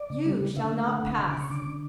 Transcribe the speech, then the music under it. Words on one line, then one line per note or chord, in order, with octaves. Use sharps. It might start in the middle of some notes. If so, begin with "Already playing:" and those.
"You shall not pass!"
Already playing: D5
C#3
G3
C#3
D3 E5
A3
D3 F#5
D3
C#3 B5
D6
C#3
C#6
D3 D6
D3